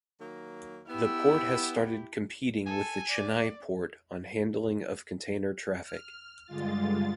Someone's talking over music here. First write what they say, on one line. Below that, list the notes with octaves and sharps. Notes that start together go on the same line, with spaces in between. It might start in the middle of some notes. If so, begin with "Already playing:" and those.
The port has started competing with the Chennai Port on handling of container traffic.
D#3 F#3 A#3
B3 E4 G4 E6
A4 G#5
D5
F6
G2 D3 G#3 F4 A6